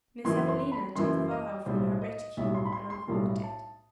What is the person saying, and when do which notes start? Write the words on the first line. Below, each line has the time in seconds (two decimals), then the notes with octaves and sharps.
Miss Evelina took the vial from her reticule and uncorked it.
0.24 F#1 F#2 E3 C6
0.48 C6
0.72 B5
0.96 F#1 F#2 E3 C6
1.31 D#5
1.66 B1 A2 G3 C5
2.02 D#5
2.37 B1 A2 G3 E5
2.54 C6
2.65 B5
2.72 C6
2.90 C6
3.08 B1 A2 G3
3.43 A5